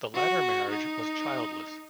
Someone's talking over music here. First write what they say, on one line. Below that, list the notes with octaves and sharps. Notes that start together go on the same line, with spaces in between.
The latter marriage was childless.
F#4
D#4